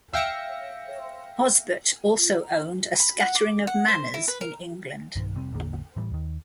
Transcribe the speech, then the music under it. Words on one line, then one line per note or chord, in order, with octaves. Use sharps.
Osbert also owned a scattering of manors in England.
E5 F5 G5 E6 A#6 C#7
B5
F#5
D6
F#5
C5
E4
B4
A#4
B1 G2 D#3
F1 C3 G3 C4
A1 E2 D3 A#3
A2 E3 G3
D#2 D#3